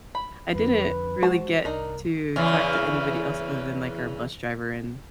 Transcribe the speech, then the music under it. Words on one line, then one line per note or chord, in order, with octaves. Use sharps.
I didn't really get to talk to anybody else other than, like, our bus driver and
B5
F2 D3 B4
G#3 F#4 C5 A5
C2 D4 D#4 A#4 A#5
E2 C#3 E3